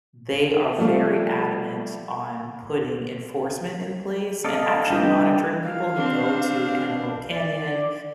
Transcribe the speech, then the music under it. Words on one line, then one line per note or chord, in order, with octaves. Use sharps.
They are very adamant on putting enforcement in place and actually monitoring people who go to Antelope Canyon,
F3 G3 A3 F5
A4 D5 D#5 F5 A5
G3 D4 B4 D#5 G5
F5
C4 D4
D5